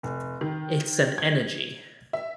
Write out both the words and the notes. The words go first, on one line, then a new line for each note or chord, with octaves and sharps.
It’s an energy!
F1
D#3
G#6
E5